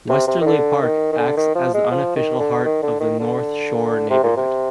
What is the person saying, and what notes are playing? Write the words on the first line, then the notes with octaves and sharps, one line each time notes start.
Westerleigh Park acts as the unofficial heart of the North Shore neighborhood.
C3
C3
D#3
D3
D#3
D#3
D3
D#3
F3
G#3
F3
D#3
D3
D#3
D3
D#3
D3
C3
A#2
C3